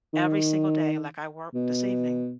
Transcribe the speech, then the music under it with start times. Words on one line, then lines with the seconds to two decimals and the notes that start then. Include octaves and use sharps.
every single day, like, I worked this evening,
0.13 D#3
1.54 B2